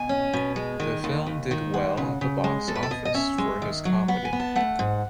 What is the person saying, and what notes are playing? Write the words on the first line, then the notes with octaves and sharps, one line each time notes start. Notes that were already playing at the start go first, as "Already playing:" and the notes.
The film did well at the box office for his comedy.
Already playing: B2 G#5
C#4
B2
G#3
D#3
D#2
D#2
D#3
G#3 F#5
C#3
C#3
G#3
B2 A4
B4
A4
B2 D#5
D#5
C#4 E5
G#3
D#3
F#3
B3 F#5
G#5
B3
A5
A3 F#5
G#2